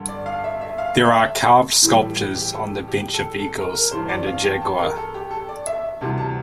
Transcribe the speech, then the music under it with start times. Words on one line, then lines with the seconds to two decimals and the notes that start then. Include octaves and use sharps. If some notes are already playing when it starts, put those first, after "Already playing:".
There are carved sculptures on the bench of eagles and a jaguar.
Already playing: G2 D3 G3
0.08 D5
0.26 F5
0.44 E5
0.61 E5
0.78 F5
1.05 E5
1.82 A2 E3 G3
2.35 G4
2.53 A4
2.87 G4
3.14 A4
3.39 A4
3.58 A#4
3.75 A#4
3.91 G2 E3 G3 C5
4.09 D5
4.27 F5
4.44 G5
4.62 A5
4.78 A#4
4.96 A4
5.14 G4
5.31 A4
5.49 D5
5.67 E5
6.01 D2 C3 E3 G3 A5
6.18 A5